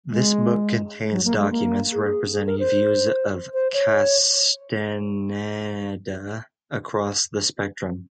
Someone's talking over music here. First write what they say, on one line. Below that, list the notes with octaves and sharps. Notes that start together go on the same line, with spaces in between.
This book contains documents representing views of Castaneda across the spectrum.
G#3
F#3
A#3
G#3
A#3
G#4
G#4
A#4
C5
C5
C#5